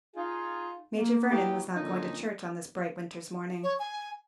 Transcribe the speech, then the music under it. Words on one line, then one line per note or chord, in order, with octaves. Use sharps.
Major Vernon was not going to church on this bright winter's morning.
D#4 F4 G#4
A#3
E3 F#3 A#3 D#4 G4
F2 A#2 D3 F3 C#4 D#4
C#5
G#5